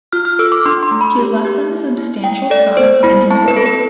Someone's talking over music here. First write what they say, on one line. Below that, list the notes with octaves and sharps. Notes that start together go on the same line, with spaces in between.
He left them substantial sums in his will.
F4 F6
F6
A4 E6
D6
D4 C6
C6
A3
B5
G4
G4
E4
E4
A3 G5
A4 D5
B3 C5
E4 B5
C4 A5
B4
A4
B4